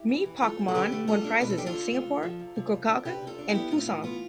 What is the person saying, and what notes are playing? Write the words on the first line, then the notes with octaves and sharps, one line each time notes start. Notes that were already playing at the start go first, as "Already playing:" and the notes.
"Mee Pok Man" won prizes in Singapore, Fukuoka and Pusan.
Already playing: E4 G4
E3
E3
A3 F4 A4
G2
A4
D3 G4 B4
A3
G3 F4 A4
D4
B2 B4
A4
D4 G4
F4 A4
D3
D2
D2
F3
C3
C3
E3
D4
C3 G4 B4
C3
F4 A4
D4
E4 G4
B3
A2 F4
E3
B3 F4